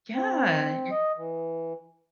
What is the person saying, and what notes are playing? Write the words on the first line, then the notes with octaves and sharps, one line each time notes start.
Yeah, you're
C4
D#5
E3